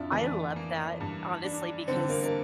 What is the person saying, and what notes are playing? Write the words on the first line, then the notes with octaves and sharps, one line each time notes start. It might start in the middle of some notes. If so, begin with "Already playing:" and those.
I love that, honestly, because,
Already playing: F2 D4 E4 F4 D5 E5
E3 A3 A4
A#3
G2
D4
D3 C4
A#3
A#3